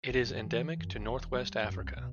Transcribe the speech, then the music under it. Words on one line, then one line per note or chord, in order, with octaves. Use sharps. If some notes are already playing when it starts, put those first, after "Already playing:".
It is endemic to Northwest Africa.
F#1
G2
E3
F#2
E1
G3
F#2
C2
B2